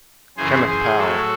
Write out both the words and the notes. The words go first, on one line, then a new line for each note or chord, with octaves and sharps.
Kenneth Powell.
F#2 C#3 E3 G#4 C5
G#4 C5
A2 F#3 F#4 A4